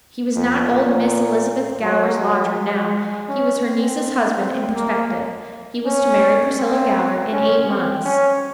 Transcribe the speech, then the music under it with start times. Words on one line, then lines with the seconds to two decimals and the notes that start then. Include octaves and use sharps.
He was not old Miss Elizabeth Gower's lodger now--he was her niece's husband in perspective. He was to marry Priscilla Gower in eight months.
0.36 F2
0.72 A#2
1.82 F#3
2.19 F#3
2.55 G#3
3.28 C#4
3.65 C4
4.39 C4
4.75 A#3
5.85 C#4
6.59 C4
7.32 C#4
7.68 C4
8.05 C#4